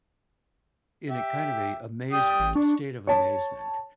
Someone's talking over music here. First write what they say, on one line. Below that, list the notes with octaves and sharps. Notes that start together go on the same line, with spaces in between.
in a kind of a amazement, a state of amazement,
G4 E5
G3 G5 D#6
A1
D4 C#6
C#5 A5